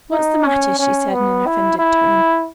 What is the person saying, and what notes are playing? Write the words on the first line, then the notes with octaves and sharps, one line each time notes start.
"What's the matter?" she said in an offended tone.
D#4
C#4
C#4
B3
E4
E4